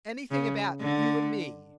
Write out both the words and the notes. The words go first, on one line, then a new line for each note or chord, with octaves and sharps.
"Anything about you and me?"
C#3
D3